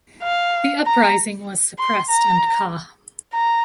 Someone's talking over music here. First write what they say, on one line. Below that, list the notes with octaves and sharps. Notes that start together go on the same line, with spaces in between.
The Uprising was suppressed and ca.
F5
A#5
C6
A#5
A#5